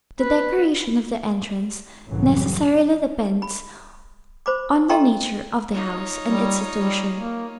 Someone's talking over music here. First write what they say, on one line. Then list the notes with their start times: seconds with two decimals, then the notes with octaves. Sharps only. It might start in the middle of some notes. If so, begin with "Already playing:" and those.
The decoration of the entrance necessarily depends on the nature of the house and its situation.
0.20 B4
2.07 C2 F#2 A2 C#3 E3 F#3
3.42 B5
4.46 C5 B5 D6
4.89 A4 D#5 G5 A#5 C6 C#6
5.73 D#4 F4 C#5
6.24 G3
6.73 G3
7.15 A#3